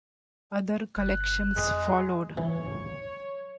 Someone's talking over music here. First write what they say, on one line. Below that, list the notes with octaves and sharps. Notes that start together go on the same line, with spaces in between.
Other collections followed.
G1 F#6
F2 G#3 G#4
E3 C#5